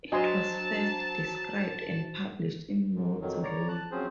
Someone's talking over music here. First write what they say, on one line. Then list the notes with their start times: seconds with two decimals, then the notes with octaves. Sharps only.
It was first described and published in Notes Roy.
0.12 F#3 D4 F#4 C5 D#5 G#5 A5 C6
2.95 G#2
3.21 F2 D#3 F#3
3.43 C#5 D5 A#5
3.69 A5 F#6
3.91 F3 F#3 C4 C#4 G#4 C5